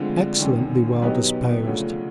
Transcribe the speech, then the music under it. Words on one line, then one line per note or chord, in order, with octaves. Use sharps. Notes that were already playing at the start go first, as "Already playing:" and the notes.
"Excellently well disposed."
Already playing: D2 D3 F3 G#3 C4
G1 F#2 D#3
B2 F#3 B3 D#4 G4
D2 C#3 F3 A3